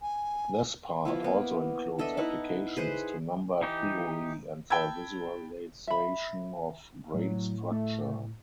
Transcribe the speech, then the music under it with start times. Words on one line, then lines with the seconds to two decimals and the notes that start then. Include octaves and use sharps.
This part also includes applications to number theory and the visualization of brain structure.
0.02 G#5
1.05 F3 B3 E4
1.23 A#3 B3
1.99 D4 A4 D#5 E5
2.17 D#4 E4 F#5
2.77 G#4 B4 C5 F#5
3.61 E3 D#4 G4
4.70 G5 A5 B5 E6 G#6
5.87 E5 B5
7.14 A2 F#3
7.72 A3